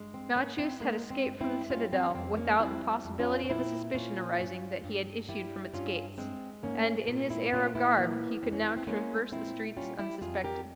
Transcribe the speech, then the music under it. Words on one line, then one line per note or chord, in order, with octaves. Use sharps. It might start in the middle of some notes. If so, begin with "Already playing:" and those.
Malchus had escaped from the citadel without the possibility of a suspicion arising that he had issued from its gates, and in his Arab garb he could now traverse the streets unsuspected.
Already playing: G2 G#3
C4
G#2 A#3 C#4
C4 E4
G#3 A#3
C4
G2
C4 E4
G3 C#4 F4
C4
C#4
F2 C4
A#3 C#4
G3 C4 E4
F2
C#4 F4
C#4
A#2 C4 E4
A#2 C#4 F4
G2
G2
G3 E4 G4
G2 C#4 F4
G#3 C4
G#2 A#3 C#4
A#2
C4 E4
A#2 C#4 F4
E4 G4
E3 A#3
F2 C4
C#4
C4
C4
G#3 A#3 C#4
A#2 C4 E4
G3 C#4 F4
E4 G4
F2 F4 G#4
G4 A#4